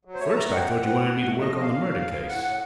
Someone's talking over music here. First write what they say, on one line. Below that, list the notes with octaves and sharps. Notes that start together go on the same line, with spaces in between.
First I thought you wanted me to work on the murder case.
F#3
C5
A3 C#5
A5
A3 A#5
C4 F#5
C4
C4
A2
A2
A3
F3 D#5
A#2 D#5
F5
A#2
F2
F2
C#3
A2 F#5
A2 F#5